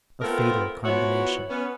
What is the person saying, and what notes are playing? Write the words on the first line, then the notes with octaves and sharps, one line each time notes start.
A fatal combination.
A3 B3 C4 F4 A4 A#4
F3 B3 E4 F#4 C#5
B3 C#4